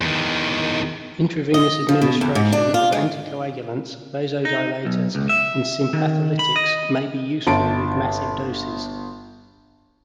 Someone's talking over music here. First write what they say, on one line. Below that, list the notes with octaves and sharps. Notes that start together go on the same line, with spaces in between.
Intravenous administration of anticoagulants, vasodilators, and sympatholytics may be useful with massive doses.
E2 D#3
D#5
F3
B2
E2
G#2
D4
F4
G#3
D#4
B1
C#2
E5
D#3
B5
D#5
G1 A5 D7